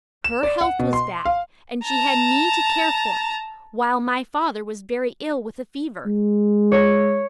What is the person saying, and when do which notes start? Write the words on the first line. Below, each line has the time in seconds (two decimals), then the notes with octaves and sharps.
Her health was bad, and she had me to care for, while my father was very ill with a fever.
0.24 E7
0.43 D5
0.61 F#5
0.79 B2
0.93 C6
1.25 F5
1.84 A5 A#5
6.06 G#3
6.72 C#5